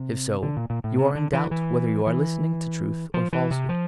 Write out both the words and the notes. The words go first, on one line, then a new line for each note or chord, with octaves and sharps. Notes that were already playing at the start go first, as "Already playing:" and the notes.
If so, you are in doubt whether you are listening to truth or falsehood.
Already playing: C3
D3
A#2
A#2
A2
C3
D3
E3
E3
E3
F3
E3
C3
F3